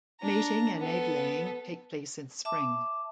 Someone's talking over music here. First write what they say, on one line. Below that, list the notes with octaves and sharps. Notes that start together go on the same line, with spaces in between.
Mating and egg laying take place in spring.
D4 A#5
B3 A4
E5 A5 D6